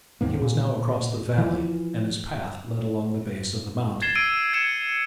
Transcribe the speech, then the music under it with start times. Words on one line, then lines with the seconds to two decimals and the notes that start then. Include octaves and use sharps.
He was now across the valley and his path led along the base of the mountain.
0.21 D#2 G#2 C3 A#3
0.41 A#2
1.38 E3 F3
4.02 G#6 A6 C7 E7 G7
4.15 E6 G#6 C7 D7 D#7
4.53 G#6 C#7 E7